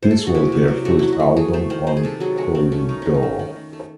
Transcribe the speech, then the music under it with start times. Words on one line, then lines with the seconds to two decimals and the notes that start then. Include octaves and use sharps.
This was their first album on Polydor.
0.03 C5
0.11 A4
0.18 G#4
0.27 F#4
0.34 C3 E4
0.52 C3
0.68 F#3
0.85 A3 F#4
0.99 F#3 E4
1.12 F#4
1.20 A3
1.36 A3 G#4
1.53 A3 C5
1.70 D#3 C5
1.87 D#3 C5
1.97 G#4
2.03 C3 A4
2.20 F#3 G#4
2.37 A3 F#4
2.55 D#3 C4
2.72 A3 C#4
2.88 D#3 D#4
3.02 D#3 C#4
3.14 D#4
3.23 A3
3.39 D#3
3.56 D#3
3.73 A3